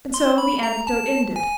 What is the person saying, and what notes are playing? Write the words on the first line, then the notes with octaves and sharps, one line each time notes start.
And so the anecdote ended.
C6
B5
A#5
A5
G#5